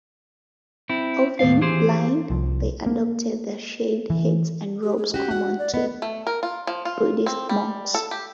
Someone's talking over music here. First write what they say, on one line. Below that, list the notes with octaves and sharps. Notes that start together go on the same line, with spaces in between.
Often blind, they adopted the shaved heads and robes common to Buddhist monks.
C4 E4
D#2 A2 A4 F5
E3 G4 G#4 C5
C2 F3
A#3
E3
G4
G#4
C#4 F#4 G4
F#4 F#5
D5
B3 D#5
A3
A#4
F4
F3
F4
C4
G3
A4
G4